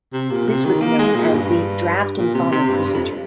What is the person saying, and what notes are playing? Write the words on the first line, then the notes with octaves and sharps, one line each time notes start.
This was known as the "draft-and-follow" procedure.
C3
A#2
C3
D#3
A#3
G#3
A#2
G2
A#2
C3
C3
G2
G2
F2